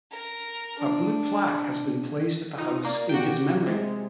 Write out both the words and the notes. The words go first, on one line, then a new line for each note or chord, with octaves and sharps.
A blue plaque has been placed at the house in his memory.
A#4
D4
D#4 F4
A#3 D5
F#4 G4 G5
C3 G#3